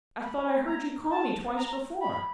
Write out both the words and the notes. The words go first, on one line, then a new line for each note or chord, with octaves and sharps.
I thought I heard you call me twice before!'
B5
A#5
A5
A#5
B5